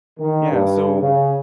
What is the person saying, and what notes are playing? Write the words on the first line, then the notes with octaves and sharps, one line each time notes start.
Yeah, so
D#3
G2
C#3